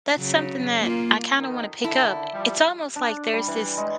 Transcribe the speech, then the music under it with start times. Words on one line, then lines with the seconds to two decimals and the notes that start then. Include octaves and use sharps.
that's something that I kinda wanna pick up. It's almost, like, there's this
0.17 C#3 F#3
0.80 A#3 F4
1.40 F2 D#3
1.84 D3 D#3 E4 A4
2.33 F3 G3
2.96 D4
3.33 G3
3.48 E3
3.77 G#3